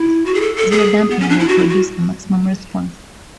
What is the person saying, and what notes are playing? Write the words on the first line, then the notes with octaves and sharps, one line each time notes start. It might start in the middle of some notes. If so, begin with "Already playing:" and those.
Zero damping will produce a maximum response.
Already playing: E4
F#4
G#4
A4
A4
G#4
B3
C#4
D4
E4
F#4
E4
F#4